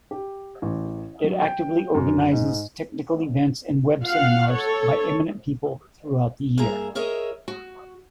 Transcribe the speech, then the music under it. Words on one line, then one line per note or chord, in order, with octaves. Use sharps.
It actively organizes technical events and web seminars by eminent people throughout the year.
G4
A1
F#3
G5
F#2
G#2
F4 F5 F#5
A4 C#5
G2 A#3 G#4 E5 A#5
G#4 A#4 C#5 D#5 E5
F#4